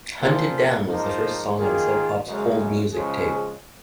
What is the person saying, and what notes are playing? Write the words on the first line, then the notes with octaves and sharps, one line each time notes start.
"Hunted Down" was the first song on Sub Pop's "hold music" tape.
A#2 F3 A#3
G#2 F3 A#3 D#4
D#3 A#3 F4 G#4
F#2 C#3 G#3 C#4
C#3 F3 G#3 C#4 G#4